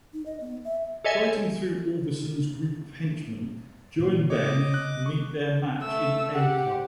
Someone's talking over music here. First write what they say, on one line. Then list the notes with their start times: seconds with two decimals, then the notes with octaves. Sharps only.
Fighting through Orbison's group of henchmen, Joe and Ben meet their match in A-Cup.
0.13 D#4
0.26 D#5
0.41 B3
0.65 E5
1.04 A4 C#5 D#5 E5 G#5
3.99 A#2 A#3
4.30 C#3 C#5 D#5 D6
4.74 F#6
5.06 C#6
5.82 A3 E6
6.34 G4 F#5